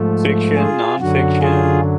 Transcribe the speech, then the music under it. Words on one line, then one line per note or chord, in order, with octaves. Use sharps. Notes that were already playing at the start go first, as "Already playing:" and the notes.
Fiction, nonfiction?
Already playing: G#2 F3 A3
F4 G#4
F#2 D3 F#3 F#4
F4 G#4